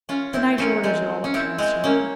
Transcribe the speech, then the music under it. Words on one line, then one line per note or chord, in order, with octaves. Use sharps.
The Nyjorders are all that counts here.
C#4 F4
C4 E4
A#3 C#4
G#3 C4
C#4
C4 E4
G#3 C4
A#3 C#4